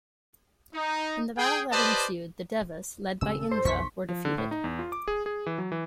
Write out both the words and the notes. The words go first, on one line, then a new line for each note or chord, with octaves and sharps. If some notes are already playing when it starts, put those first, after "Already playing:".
In the battle that ensued, the Devas, led by Indra, were defeated.
D#4
G#4 G5
G4 B4 C5 D5 D#5 A5
D#1 C#3 C4 G4 E6
A4
G2 C5
B1 F2 C6 C#6 B6
F3
D3
A2
D#4
E2
F4
D6
G#4
G#4
E3
F#3
E3